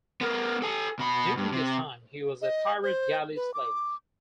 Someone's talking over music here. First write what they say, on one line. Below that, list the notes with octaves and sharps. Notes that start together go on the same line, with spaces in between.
During this time he was a pirate galley slave.
B3 A#4
A4 G#5
B2 B5
G2
C3
D#5
C5
B4
D6